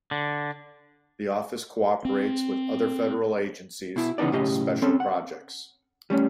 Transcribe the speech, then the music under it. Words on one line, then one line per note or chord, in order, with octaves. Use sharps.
The office cooperates with other federal agencies on special projects.
D3
C4
B2 E4
C#3 E3 B3 D#4 D5
B1 A2 C#3 G4 D#5
C4 C#4 A4
F#5
G3 A3 C#4